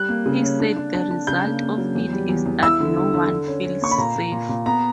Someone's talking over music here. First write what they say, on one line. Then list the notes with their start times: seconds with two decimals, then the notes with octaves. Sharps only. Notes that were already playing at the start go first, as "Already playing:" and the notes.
He said the result of it is that no one feels safe!
Already playing: G3 F#6
0.09 A#3
0.26 C#3
0.43 C#4
0.60 D4
0.77 D4
0.94 D4
1.11 D4
1.27 C#3 G6
1.44 A#3
1.62 A#3
1.78 F#3
1.95 E2
2.13 G3
2.29 E2
2.46 E2
2.63 E4 E6
2.80 D3
2.97 D3
3.14 D3
3.31 D3
3.47 C#4
3.65 C#4
3.81 A#3 C#6
3.91 B5
3.98 A#2 A#5
4.15 A#2
4.32 A#2
4.49 A#2
4.66 B3 A#5